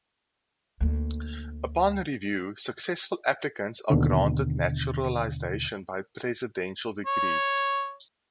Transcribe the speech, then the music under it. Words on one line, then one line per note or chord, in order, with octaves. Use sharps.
Upon review successful applicants are granted naturalization by presidential decree.
D2 A#3
D#2 B2 D3
C#5